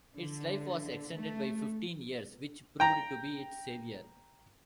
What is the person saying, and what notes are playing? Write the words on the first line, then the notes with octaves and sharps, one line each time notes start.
Its life was extended by fifteen years, which proved to be its saviour.
D3
A3
G5 A#5